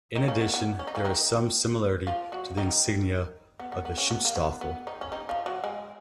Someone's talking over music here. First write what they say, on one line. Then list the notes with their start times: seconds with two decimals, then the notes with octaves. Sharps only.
In addition there is some similarity to the insignia of the Schutzstaffel.
0.15 D#3 D#4
0.28 C#3 C#4
0.41 B3
0.54 B3
0.79 C#4
0.87 D#4
0.95 C#3 C#4
1.05 D#3 D#4
2.07 F3 F4
2.32 F#3 F#4
2.57 D#3 D#4
3.60 B3
3.72 B3
3.85 B3
3.98 C#3 C#4
4.11 B3
4.25 A#3
4.36 B3
4.61 B3
4.87 D#3 D#4
5.01 C#4
5.12 D#3 D#4
5.29 F3 F4
5.46 F#3 F#4
5.64 G#3 G#4